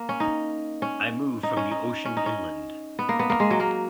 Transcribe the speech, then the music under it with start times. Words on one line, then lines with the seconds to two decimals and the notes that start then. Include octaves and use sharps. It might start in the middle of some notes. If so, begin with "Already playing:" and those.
I move from the ocean inland.
Already playing: A#3
0.09 C#4
0.20 D#4
0.82 C#4
1.43 D#4
1.57 C#4
1.71 D#4
2.05 C#4
2.17 D#4
2.26 C#4
2.99 B3
3.09 A#3
3.19 B3
3.30 A#3
3.40 G#3
3.51 F#3
3.60 A#3